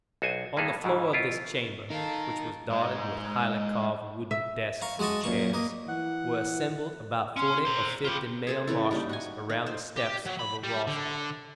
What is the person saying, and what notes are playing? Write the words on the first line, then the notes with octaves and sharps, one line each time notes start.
On the floor of this chamber, which was dotted with highly carved wooden desks and chairs, were assembled about forty or fifty male Martians around the steps of a rostrum.
B1 F#4 C5 G#5
G2 A#3 B3 G#4 A4
G#2 C#3 E3
E4 F4
D#4 A4 A#4 F5
G#2 G#3
E5
F5 A#5 C#6
G#3 F#4 D#5 A5 C#6
F#2 A#2 C#6
A#3 D#5
E3 F#5
C#4 C6
C5 A#5
F4 G4 B5
G#4 A4 C5
C#3 E3 E4 A4
G3 A#3 D#4
F#4 F#5 G#5
D#4 A4
C5
G4
F#3
B5
G3
D3